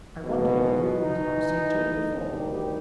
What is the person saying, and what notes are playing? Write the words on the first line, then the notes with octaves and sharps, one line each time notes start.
I wonder your groom has not seen to it before.
E2 G#2 B2
E3 D#4
D2 D#3 G3 G4